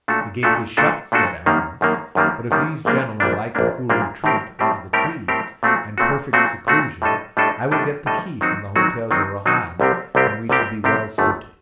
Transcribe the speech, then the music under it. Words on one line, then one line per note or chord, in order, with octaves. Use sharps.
"The gate is shut," said Aramis, "but if these gentlemen like a cool retreat under the trees, and perfect seclusion, I will get the key from the Hotel de Rohan and we shall be well suited."
A#2 A3 D4 F#4 A4
A#2 A3 D4 F#4 A4
A#2 A3 D4 F#4 A4
A#2 A3 D4 F#4 A4
F#2 D#3 G3 A#3
F#2 D#3 G3 A#3
F#2 D#3 G3 A#3
F#2 D#3 G3 A#3
A#1 A#2 G3 A#3 D4
A#1 A#2 G3 A#3 D4
A#1 A#2 G3 A#3 D4
A#1 A#2 G3 A#3 D4
A2 G3 C4 G4 A#4
A2 G3 C4 G4 A#4
A2 G3 C4 G4 A#4
A2 G3 C4 G4 A#4
A#2 A3 C4 F#4
A#2 A3 C4 F#4
A#2 A3 C4 F#4
A#2 A3 C4 F#4
A2 G3 D4 A4 D#5
A2 G3 D4 A4 D#5
A2 G3 D4 A4 D#5
A2 G3 D4 A4 D#5
D#3 F#3 C4 D#4 F#4
D#3 F#3 C4 D#4 F#4
D#3 F#3 C4 D#4 F#4
D#3 F#3 C4 D#4 F#4
C2 C3 G3 C4 G4
C2 C3 G3 C4 G4
C2 C3 G3 C4 G4
C2 C3 G3 C4 G4
G1 F#2 D3 A3